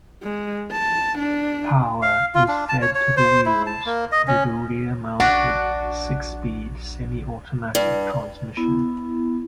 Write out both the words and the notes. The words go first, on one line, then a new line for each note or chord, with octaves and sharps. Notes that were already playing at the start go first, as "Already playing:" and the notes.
Power is fed to the wheels through a rear-mounted, six-speed semi-automatic transmission.
G#3
A5
D4
F5
F4
D4
A5
C#5
C#5
C5
E4
A5
A#3
D#5
C#4
A#1 D4 F#4 F#5
G2
B3 E4